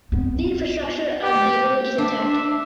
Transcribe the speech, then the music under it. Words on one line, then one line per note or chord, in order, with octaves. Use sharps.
The infrastructure of the village is intact.
B3 C4
G4
D4 E5